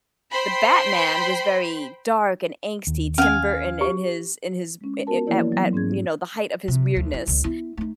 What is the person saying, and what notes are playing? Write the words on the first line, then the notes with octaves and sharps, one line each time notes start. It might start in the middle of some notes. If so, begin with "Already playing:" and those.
the Batman was very dark and angsty, Tim Burton in his in his i i at at, you know, the height of his weirdness,
C5 G5 B5 C6
D#2
C#4 F5 G#5
G4
G#3 C#4
B3 F4 F#4 A#4 A5
E3 F3 A#3 E4 C#5 D5
F#3 B3
G#2 C#4 G#4 G#6
C3
D2
E3
C#2 D3
B3 E4
A3 D#4